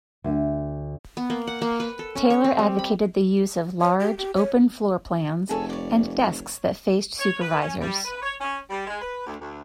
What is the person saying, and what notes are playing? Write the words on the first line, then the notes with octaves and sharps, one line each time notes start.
Taylor advocated the use of large, open floor plans, and desks that faced supervisors.
D2
B3
A#3
F#5
A#3
B4
A4
C#4
C#5
C4
G3
B5
C#5
G4
G4
C#5
F1 G#4 A4 C#5
C#5 D5
C#5
C#5
B4
C#4
G3
B4
C#5
C#4
G3
G#3
B4
D2
D2